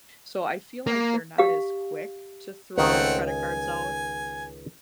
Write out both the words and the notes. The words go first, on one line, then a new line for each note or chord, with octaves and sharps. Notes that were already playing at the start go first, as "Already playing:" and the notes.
so, I feel like they're not as quick to throw credit cards out.
A#3
G4 F5
C#2 D#3 A3 C4 C#4 F#5
G#5